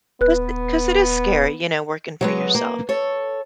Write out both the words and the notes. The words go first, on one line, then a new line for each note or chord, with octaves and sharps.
'Cause 'cause it is scary, you know, working for yourself,
D#1 B3 B4 F#6
F#3 G#3 B3
A#3
A4 C#5